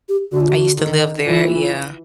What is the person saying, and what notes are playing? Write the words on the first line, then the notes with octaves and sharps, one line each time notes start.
I used to live there, yeah.
G4
D3 F#4
F4
F#4
D#3
E3 F4